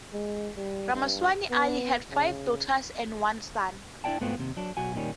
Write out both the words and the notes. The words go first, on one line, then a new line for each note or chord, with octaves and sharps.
Ramaswami Iyer had five daughters and one son.
G#3
G3
G2
B3
C#3
D4 E4 F#4 D5 G5 A5
G#2 A3 B3 C4 F4 F#4
D#2 C3
F#3 D4
B1 F#4 G#5
A#2 D#3 G3 C#4